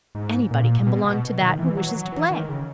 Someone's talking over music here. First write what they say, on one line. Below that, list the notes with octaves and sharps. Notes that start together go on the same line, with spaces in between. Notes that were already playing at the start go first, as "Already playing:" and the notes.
Anybody can belong to that who wishes to play.
G#2
A#2
B2
B2
D#3
E3
F#3
F#3
E3
D#3
C#3